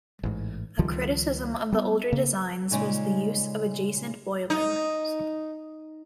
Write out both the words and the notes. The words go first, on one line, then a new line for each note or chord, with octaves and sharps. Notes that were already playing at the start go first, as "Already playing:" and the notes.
A criticism of the older designs was the use of adjacent boiler rooms.
A1 G#2
C#2 D#3 F3 G3
G3 B3
C#3 A#3
A#2 C#3 G#3 D#4
D#4